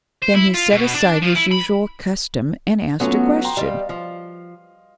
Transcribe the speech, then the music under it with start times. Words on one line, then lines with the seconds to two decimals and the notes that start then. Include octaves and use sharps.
Then he set aside his usual custom and asked a question.
0.22 C5
0.35 E4
0.54 F4
0.72 B2
0.94 D4
1.23 F3
1.36 E4
1.51 B5
3.00 F#3 A3 B3 C#4 F4
3.45 G5 A#5 C6
3.57 G3 D#5 F5 C6
3.89 F3